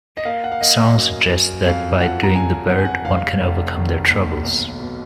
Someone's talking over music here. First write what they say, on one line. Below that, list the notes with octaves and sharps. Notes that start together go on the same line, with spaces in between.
The song suggests that by "doing the bird", one can overcome their troubles.
D#5
A#3 F5
F#5
F5
A#3 D#5
F#2
F#2
F2 F5
F3 F#5
A#5
F#1 G#5
F2 F#5
G#5
F#5
F1 F5
F1
D#3
D#2
B1
B2